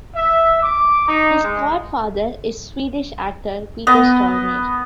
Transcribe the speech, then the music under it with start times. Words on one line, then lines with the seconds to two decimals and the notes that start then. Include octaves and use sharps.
His godfather is Swedish actor Peter Stormare.
0.15 E5
0.63 D6
1.07 D#4
1.43 G#3
3.87 B3 D#5